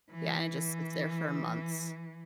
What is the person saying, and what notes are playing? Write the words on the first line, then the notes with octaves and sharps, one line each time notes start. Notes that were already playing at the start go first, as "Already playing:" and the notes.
Yeah, and it just sits there for months.
E3